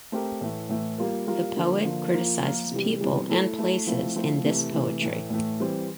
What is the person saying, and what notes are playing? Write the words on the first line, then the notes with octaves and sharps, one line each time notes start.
The poet criticizes people and places in this poetry.
A3 C4 G4 A#4
A2 E3 A3
A2 E3 A3
G3 A#3 F4 A#4
G3 A#3 F4 A#4
D3 F3 A#3
D3 F3 A#3
F3 A#3 F4 A#4
F3 A#3 F4 A#4
C3 E3 G3
C3 E3 G3
A3 E4 A4
A3 E4 A4
F3 A3 C4 E4
F3 A3 C4 E4
C3 E3 A3
C3 E3 A3
A2 E3 A3
A2 E3 A3
E3 G3 C4